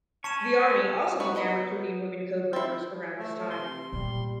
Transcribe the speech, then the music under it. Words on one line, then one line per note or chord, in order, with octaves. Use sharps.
The Army also began recruiting women code breakers around this time.
C#4 A5 C#6 C#7 E7
B3 D#4 F#4 B4
B3 D#5 A#5 B5
C4 E4
A3 C#5
C3 C6
A#2 G3